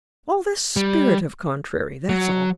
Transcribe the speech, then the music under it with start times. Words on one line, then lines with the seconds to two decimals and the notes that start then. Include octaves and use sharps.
All the spirit of contrary, that's all.
0.76 G3
2.09 F#3